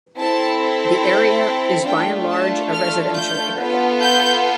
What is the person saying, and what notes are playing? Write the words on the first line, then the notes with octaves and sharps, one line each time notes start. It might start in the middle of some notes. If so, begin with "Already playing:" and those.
The area is by and large a residential area.
C4 E4 A4 A5
G5
G5
A3 D4 F4 A4 G5
A5
F6
G6
B3 F4 A4
G6